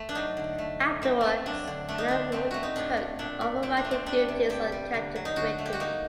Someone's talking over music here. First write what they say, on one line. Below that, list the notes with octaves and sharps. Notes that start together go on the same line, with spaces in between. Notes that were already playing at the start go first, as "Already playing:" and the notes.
Afterwards, Alan Moore took over writing duties on "Captain Britain".
Already playing: A3
D4
F#3 D#4
D3
A3
A2
A3 C4
A3 C4
F#3 D4
D3
A3 D4
D#4
D3 D4
A3 C4
A3 F#4
D#4
A2 D4
A2
A#2 D4
A#2
A#2 C4
D4
A3
C4
G3 D4
C3
C3 G4
G3
D3
F#3
D#4
D3 F#4
A3
G4
F#4
A#3 D#4